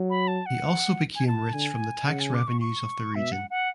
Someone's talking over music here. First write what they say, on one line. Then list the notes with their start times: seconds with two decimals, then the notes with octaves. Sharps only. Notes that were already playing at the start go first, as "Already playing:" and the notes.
He also became rich from the tax revenues of the region.
Already playing: F#3
0.10 B5
0.28 A5
0.46 F#5
1.15 G#5
1.27 A5
1.53 D3 G#5
2.07 C#3 F#5
2.20 G#5
2.34 D6
2.47 C#6
2.61 C#6
3.14 B2 E5
3.32 F#5
3.50 F#5